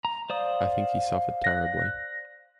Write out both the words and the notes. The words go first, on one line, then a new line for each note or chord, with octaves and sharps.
I think he suffered terribly.
A#5
C5 D5 F5 D#6
F#6 A#6